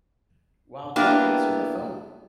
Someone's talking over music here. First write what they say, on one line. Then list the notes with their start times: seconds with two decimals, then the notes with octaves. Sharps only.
While Don't Answer the Phone!
0.96 A#3 B3 D4 E4 G4